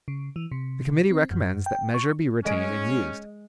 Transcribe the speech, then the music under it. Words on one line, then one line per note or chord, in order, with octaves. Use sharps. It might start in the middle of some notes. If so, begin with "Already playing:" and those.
The Committee recommends that Measure be retained and used.
C#3
E3
C3
C4
F#2
G5
C#6
G#3 C#4 D#5 D7